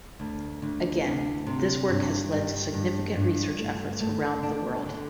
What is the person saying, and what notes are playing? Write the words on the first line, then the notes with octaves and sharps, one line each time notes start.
Again, this work has led to significant research efforts around the world.
D2
D2
D2
C3
G2
G3
G2
G2
A3
A3
D4
D3